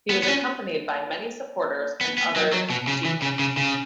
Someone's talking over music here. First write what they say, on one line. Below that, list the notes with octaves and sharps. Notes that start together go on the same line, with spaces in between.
He was accompanied by many supporters and other chieftains.
B3
B3
C#4
B3
B3
F#3
F#3
B2
C#3
E3
C#3
C#3
C#3